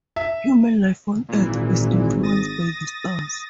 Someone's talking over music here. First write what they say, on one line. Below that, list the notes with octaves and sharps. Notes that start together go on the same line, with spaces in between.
Human life on earth is influenced by the stars.
E5
G#1 A#2 E3
D#6 A6 A#6